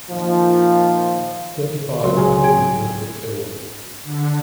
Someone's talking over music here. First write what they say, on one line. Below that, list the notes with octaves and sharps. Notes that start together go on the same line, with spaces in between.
Thirty-five crew members were killed.
A#2 D#3 F3
C#2 F#3 C6
G#4 C#5 A#5 C6
G5 G#6 D7
D3